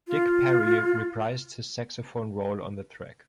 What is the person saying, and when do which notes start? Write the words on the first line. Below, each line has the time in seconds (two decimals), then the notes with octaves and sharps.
Dick Parry reprised his saxophone role on the track.
0.08 F4